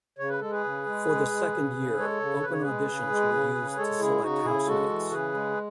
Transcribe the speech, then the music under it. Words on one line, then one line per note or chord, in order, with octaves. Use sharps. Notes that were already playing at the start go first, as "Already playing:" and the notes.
For the second year, open auditions were used to select housemates.
C#3 C#5
B4
G#3 A4
G#4 B4
C#3
G#3
G#3
G#3
C#3
C#3
G#3 A4 C#5
C#3
C#3 B4
C#5
G#3 G#4 B4
C#3
G#3
C#3
C#3
B4
G#3 A4 C#5
C#3 E4 G#4
C#3 D#4 F#4
C#3 E4 G#4
G#3 F#4 A4
E3
C#3 G#4 B4
G#3